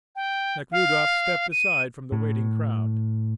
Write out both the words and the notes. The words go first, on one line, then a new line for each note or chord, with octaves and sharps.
Nekhludoff stepped aside from the waiting crowd.
G5
F5
D#7
A2